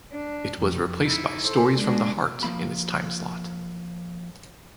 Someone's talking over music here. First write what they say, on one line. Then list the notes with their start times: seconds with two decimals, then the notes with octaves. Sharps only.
It was replaced by "Stories from the Heart" in its timeslot.
0.13 D4
0.59 F2
1.05 D#4 E4
1.43 A4 C5
1.78 G#3 D4
2.43 F3 A#3 B5